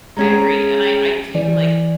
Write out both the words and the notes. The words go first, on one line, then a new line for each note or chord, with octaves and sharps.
I agree, and I I do, like
G#3 C#4 G#4 A#5 G#6
E3 D5 G#5